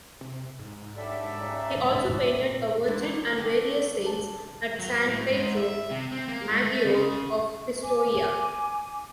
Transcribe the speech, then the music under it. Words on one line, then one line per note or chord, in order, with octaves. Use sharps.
He also painted a "Virgin and various saints" at San Pietro Maggiore of Pistoia.
C3
G#2
F#3 G3 D4 A4 D5 E5
C#3 G3 D#4
F#2 A2 F#3
A#2
C2 C3 E3 G#3 B3 D4
F#2 A#2 C#4 D4
D3 A3 G4
G#4 A5
F#3
A2
G#2
E5
C3
C4
A#3
G#2
A3
C#3
G#5 D6